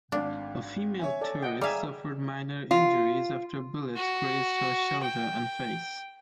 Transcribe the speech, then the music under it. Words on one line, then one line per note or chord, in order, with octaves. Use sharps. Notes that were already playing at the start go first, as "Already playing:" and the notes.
A female tourist suffered minor injuries after bullets grazed her shoulder and face.
G#1 D4 F5
C#5 E5 G#5
A4 D5
D#5 F#5 G5
G3 G#4 E5 F5 G#5 A#5
F4
F#4
G5